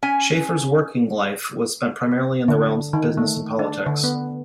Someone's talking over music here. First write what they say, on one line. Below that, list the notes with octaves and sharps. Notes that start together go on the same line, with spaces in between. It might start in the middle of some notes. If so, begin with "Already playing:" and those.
Schafer's working life was spent primarily in the realms of business and politics.
C#4 G#5
D3
D#3
A3
D4
D3
B3